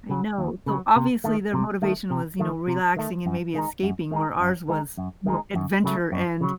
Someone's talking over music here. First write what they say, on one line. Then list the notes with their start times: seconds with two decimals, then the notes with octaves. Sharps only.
I know. So, obviously, their motivation was, you know, relaxing and maybe escaping; where ours was, you know, adventure and,
0.09 C#3 F#3
0.38 D#2
0.66 C#3 F#3
0.96 C3
1.24 D#3 A3
1.53 C3
1.82 D#3 A3
2.10 C3
2.39 D#3 A3
2.67 C3
2.96 D#3 A3
3.26 F#2
3.54 D#3 G#3 D#4
3.82 F#2
4.12 D#3 G#3 D#4
4.40 F#2
4.69 D#3 G#3 D#4
4.97 F#2
5.26 D#3 G#3 D#4
5.55 F#2
5.84 C#3 F#3 A3
6.12 F#2
6.41 C#3 F#3